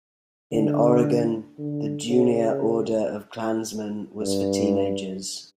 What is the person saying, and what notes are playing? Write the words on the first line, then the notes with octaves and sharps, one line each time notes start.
In Oregon the Junior Order of Klansmen was for teenagers.
D3
D3
C#3
G2